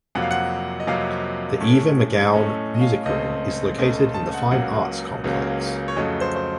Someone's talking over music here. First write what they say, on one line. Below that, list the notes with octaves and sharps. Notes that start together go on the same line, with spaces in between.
The Eva McGown Music Room is located in the Fine Arts Complex.
F2 C3 F#3 A#3 F#5
F5
F#5
D#5
F2 C3 F#3 A#3 F5
A2 A3 C#4
A2 A3 C#4 D#5
D#5
F5
C#2 C#3 A3 C4 D#5
C#2 C#3 A3 C4 D#5
A5
F#5
C#2 C#3 F#3 A#3 F#5
C#2 C#3 F#3 A#3
C#5
F2 C#3 F#3 A3 D#5
C5
C5